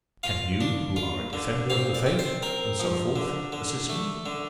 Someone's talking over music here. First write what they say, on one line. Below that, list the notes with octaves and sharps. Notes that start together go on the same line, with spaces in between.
Can you, who are a defender of the faith, and so forth, assist me?
F4 F5
D4
F4
D3
C4 F5
D5
C4
C5
C4 A#4
F3
D3
D3
A3
D3